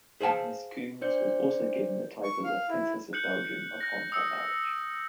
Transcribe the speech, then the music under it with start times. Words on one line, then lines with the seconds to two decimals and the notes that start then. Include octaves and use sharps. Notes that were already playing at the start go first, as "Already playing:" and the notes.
Miss Coombs was also given the title of Princess of Belgium upon her marriage.
0.21 G#4 C5 F5 G#5 A5
1.01 D4 C5 D5 G6 C#7
2.24 C#6
2.44 F5
2.69 E4
3.13 F#6 G6 C#7 F#7
3.81 F#6 A#6
4.12 D#6 E6 C#7